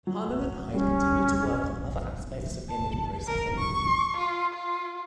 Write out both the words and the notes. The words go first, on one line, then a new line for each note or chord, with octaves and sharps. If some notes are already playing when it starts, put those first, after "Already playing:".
Parnham and Hyde continued to work on other aspects of image processing.
F#3
G3 C#4
A5
A#4
C#6
F4
F4